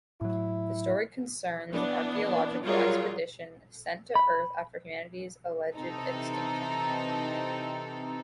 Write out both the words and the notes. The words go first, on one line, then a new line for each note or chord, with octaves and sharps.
The story concerns an archaeological expedition sent to Earth after humanity's alleged extinction.
A2 F#3 E4
E3 B3 D4
F#3 G3 F4 G#4 A#4
B5
C3 E3 C4 D#4 A4